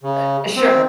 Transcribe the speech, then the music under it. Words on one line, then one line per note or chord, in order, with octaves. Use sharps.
Eh sure.
C#3
C4